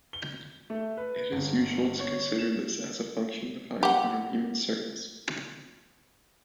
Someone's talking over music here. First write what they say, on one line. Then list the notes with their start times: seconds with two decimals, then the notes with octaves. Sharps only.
It is usual to consider this as a function defined on a Riemann surface.
0.13 G7
0.70 A3
0.97 B4
1.32 G1
2.00 C#5
2.38 E7
3.83 G4 F#5